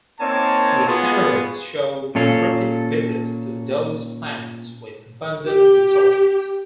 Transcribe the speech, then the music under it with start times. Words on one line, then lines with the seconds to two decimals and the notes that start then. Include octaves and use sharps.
The tamarins show repeat visits to those plants with abundant resources.
0.20 A#3 C4 D#4 C#5 G#5 A5
0.88 B3 F4 F#4 G#4
2.15 A#2 C#4 A4 F5
5.48 G4